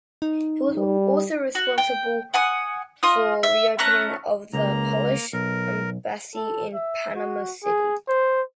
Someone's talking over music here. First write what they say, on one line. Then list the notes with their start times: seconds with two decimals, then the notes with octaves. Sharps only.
He was also responsible for reopening of the Polish embassy in Panama City.
0.22 D#4
0.77 G3
1.55 F#4
1.78 G5
2.34 F#5 G#5 D#6
3.03 F4 D#5 D#6
3.43 E5
3.79 A3 C#4 A#5 F#6
4.53 C#2 A#3 A#5
5.33 B1 A#4
6.35 A4
6.74 E5
7.15 F#4
7.64 G#4
8.08 C5